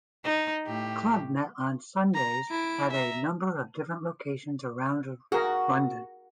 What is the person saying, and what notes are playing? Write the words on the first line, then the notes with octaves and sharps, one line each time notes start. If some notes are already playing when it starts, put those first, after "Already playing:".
The club met on Sundays at a number of different locations around London.
D#4
A2 G4
A#5
E4 D7
E5 A#5
F#4 G#4 A#4